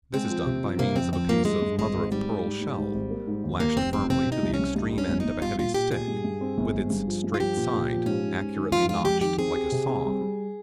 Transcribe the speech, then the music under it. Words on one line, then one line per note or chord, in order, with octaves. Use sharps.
This is done by means of a piece of mother-of-pearl shell, lashed firmly to the extreme end of a heavy stick, with its straight side accurately notched like a saw.
G#3 C4
F3
C3
F3
C3 A#3
F2 C4
F2 C4
F3 A#3
G2 G#3
G2
G#1 G#3
G#1
G#2 G3
G#2
G#2
G#2
G#2
G#1
A#3
G#2
D#2
D#2 A#3
F1 C4
F1 C4
C3 C4
C3
D#4
C2
C#4
C2
G2 D#4
G3
C#4
G1
D#4
G1
G3 F4
A#2 F4
A#2 G4
A#2 G#4
G2
G2
C4
G1
G#1
G2
F3
G2
F4
F3 G4
A#2
A#2
F3
G#2 C#4
G#2
G#2
D#3
F2 F4
G#3 F4
F2 G4
D#3 G4
C4 G#4
G4
C3
C4
G3
G3